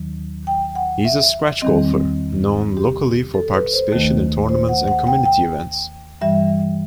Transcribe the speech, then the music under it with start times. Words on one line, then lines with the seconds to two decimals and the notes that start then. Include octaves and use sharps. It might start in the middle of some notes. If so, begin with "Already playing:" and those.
He is a scratch golfer, known locally for participation in tournaments and community events.
Already playing: D#2 D#3 F#3
0.47 G5
0.75 F#5
1.05 E5
1.62 E2 D#3 G3 C4 D#5
2.77 G4
3.34 A4
3.54 B4
3.73 C5
3.92 D#2 D#3 A3
4.49 C5
4.69 F#5
4.88 F#5
5.07 G5
5.25 G5
6.21 G2 E3 G3 E5